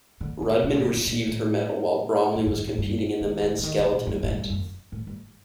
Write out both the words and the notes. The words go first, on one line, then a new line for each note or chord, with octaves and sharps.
Rudman received her medal while Bromley was competing in the men's skeleton event.
D3
D3
C3
A2
A#2
C3
D3
A#2
A2
G2
F#2
G2
A2
G2
D#3
D#3
D3
D#3
D3
A#2
G2
A2
G2
G2
F#2
A2
G2